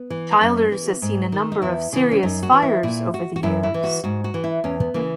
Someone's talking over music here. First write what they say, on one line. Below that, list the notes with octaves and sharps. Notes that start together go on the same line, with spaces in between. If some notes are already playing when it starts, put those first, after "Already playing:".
Childers has seen a number of serious fires over the years.
Already playing: B3
E3
F#2
E3
G#2
D#3
D#4
E2 E4
C#3 E3
C#4
F#2 D#4
F#4
E3
E4
A#2 E4
F#4
F#4
F#2 E4
E4
E3
F#4
G#2 F#4
F#4
E3
E4
E2 C#4
B3
C#3 E3 A#3